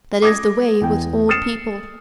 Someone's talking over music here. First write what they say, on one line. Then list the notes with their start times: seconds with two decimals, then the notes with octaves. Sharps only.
That is the way with old people!
0.22 D6 D#6 G#6 A#6
0.81 E2 G5
1.29 D#6 F6 A6 C7 C#7 E7